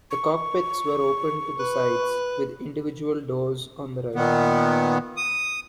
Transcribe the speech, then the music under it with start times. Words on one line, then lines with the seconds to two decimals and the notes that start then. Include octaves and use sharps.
The cockpits were open to the sides, with individual doors on the right.
0.11 C#6
1.60 B4
4.15 A#2 D#3 B3
5.17 D#6